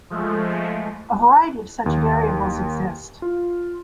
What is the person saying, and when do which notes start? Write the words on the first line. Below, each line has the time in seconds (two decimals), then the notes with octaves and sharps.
A variety of such variables exist.
0.10 F3 G#3 A3
1.86 D#2
3.22 F4